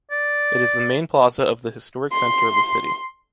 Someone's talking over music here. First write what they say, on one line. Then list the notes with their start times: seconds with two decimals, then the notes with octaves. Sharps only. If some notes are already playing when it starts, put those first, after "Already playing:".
It is the main plaza of the historic center of the city.
0.11 D5
2.12 C6